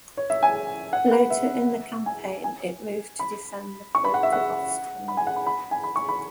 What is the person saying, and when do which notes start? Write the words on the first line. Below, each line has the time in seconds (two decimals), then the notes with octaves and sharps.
Later in the campaign it moved to defend the port of Ostend.
0.17 C#5
0.30 E5
0.43 G#5
0.93 F#5
1.11 B4
1.30 E5
2.06 G#5
2.44 G#5
3.19 B5
3.95 C#6
4.05 B5
4.14 F#5
4.23 E5
4.33 F#5
5.08 B5
5.17 G#5
5.27 F#5
5.36 B5
5.46 B5
5.71 G#5
5.83 B5
5.96 C#6
6.09 B5